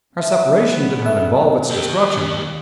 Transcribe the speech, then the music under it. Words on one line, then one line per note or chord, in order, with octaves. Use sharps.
Our separation did not involve its destruction.
E5
F#3 B3
A4 E5
D#2 G4